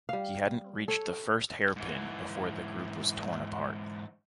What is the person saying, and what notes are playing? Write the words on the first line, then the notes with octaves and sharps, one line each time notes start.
He hadn't reached the first hairpin before the group was torn apart.
G3 F5
A4 C#5
G#2 E3